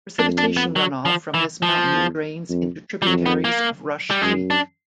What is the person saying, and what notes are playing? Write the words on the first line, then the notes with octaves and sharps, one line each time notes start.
Precipitation runoff from this mountain drains into tributaries of Rush Creek.
F2 D4
D4
B3
F#3
F3
E3
F3
E2
F2
G3
F2 F#3
B3
A#3
G3
F#2 G#3
D4